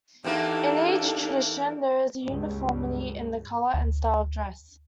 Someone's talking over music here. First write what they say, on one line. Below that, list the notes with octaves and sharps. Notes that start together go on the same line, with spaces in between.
In each tradition there is uniformity in the colour and style of dress.
E2 E3 A#3 D4 D#4 G4 A4
C#2 G2
D2